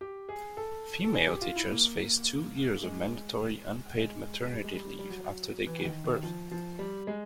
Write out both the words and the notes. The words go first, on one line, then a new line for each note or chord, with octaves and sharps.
Female teachers faced two years of mandatory unpaid maternity leave after they gave birth.
G4
G#4
A4
A4
G#4
G4
F4
E4
A#3
G#3
G#3
G3
G#3
G3
G3
F#3
E3
D#3
D#3
F3
F3
G3
G#3